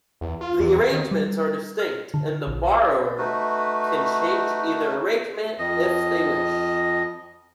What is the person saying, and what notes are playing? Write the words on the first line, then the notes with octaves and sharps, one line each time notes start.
The arrangements are distinct and the borrower can change either arrangement if they wish.
E2
F4
E2
D#3
G3
F6
D3
A#1
E6
A3 D#4 F#4 B4
F2 D#5